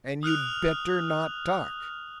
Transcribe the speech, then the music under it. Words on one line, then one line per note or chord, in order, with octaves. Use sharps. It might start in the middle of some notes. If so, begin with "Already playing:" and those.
And you'd better not talk.
D#6 F6 F#6 F7